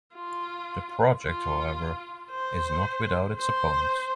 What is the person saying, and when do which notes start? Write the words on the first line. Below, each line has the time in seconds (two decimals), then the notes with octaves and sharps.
The project, however, is not without its opponents.
0.15 F4
1.24 F4
2.30 C5
3.38 C5